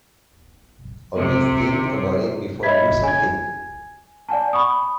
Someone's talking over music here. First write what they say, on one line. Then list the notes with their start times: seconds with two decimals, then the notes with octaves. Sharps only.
Always think about it before you do something.
1.16 C3
2.63 C#5 D#5 E5 B5 G#6 B6
3.03 G#5 G#6
4.29 D5 F#5 G#5 A5
4.53 B5 C#6 D#6